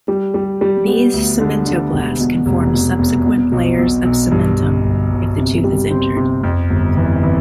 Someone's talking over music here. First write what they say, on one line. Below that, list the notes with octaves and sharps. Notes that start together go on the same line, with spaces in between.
These cementoblasts can form subsequent layers of cementum if the tooth is injured.
G3
G3
G3
B3
D2
D3
D3
E1
B2
F1
B2
E2
B2
B1
B1
B1
G2
G1
G1
G1
C3
G3
C4
C3
F2
G1
E3
E3